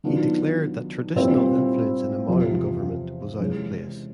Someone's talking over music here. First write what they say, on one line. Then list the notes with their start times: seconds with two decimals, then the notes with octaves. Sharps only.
He declared that traditional influence in a modern government was out of place.
0.04 D#3 F#3 B3 D4 F4
1.16 A#2 G3 C4 E4
2.28 E2 C3 F3
3.40 C3 E3 G#3 C#4